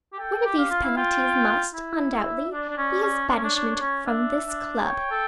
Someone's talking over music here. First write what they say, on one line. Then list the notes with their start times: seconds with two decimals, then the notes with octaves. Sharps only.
One of these penalties must, undoubtedly, be his banishment from this club.
0.13 G4
0.18 A4 G5
0.45 G4
0.58 F5
0.71 F4
0.83 E4
0.97 F4 G5
1.74 E4
2.13 E5
2.52 D4 D5
2.69 D4
2.77 C#4
3.03 C#4
3.29 D4 C#5
3.37 C#4
3.44 D4
3.55 D4
3.68 C#5
3.75 D4
3.82 C#4
4.06 D4 E5
4.46 D4
4.84 C#5 G5
5.11 A4